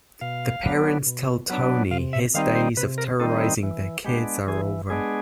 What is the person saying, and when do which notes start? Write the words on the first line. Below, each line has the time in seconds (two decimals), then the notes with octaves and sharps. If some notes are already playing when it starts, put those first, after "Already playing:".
The parents tell Tony his days of terrorizing their kids are over.
0.21 B2 F5
0.63 F#3 B3 D4
1.06 B2
1.49 F#3 B3 D4
1.91 C3 F5
2.13 E5
2.34 D#3 G3 C4 D#4 F5
2.55 C5
2.77 C3 B4
2.98 A#4
3.20 D#3 G3 C4 D#4 A4
3.41 E4
3.63 E3
4.05 G#3 B3 D4 G4
4.47 E3 G#4
4.90 G#3 B3 D4 G#4